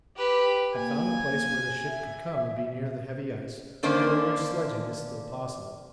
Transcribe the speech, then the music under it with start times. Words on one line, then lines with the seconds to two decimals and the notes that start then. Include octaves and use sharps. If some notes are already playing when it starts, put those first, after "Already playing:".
I found a place where the ship could come and be near the heavy ice over which sledging is still possible.
0.17 G4 B4
0.74 A#3 G#5
1.84 E5
3.83 D3 D#3 A#3 C#4 D4 C5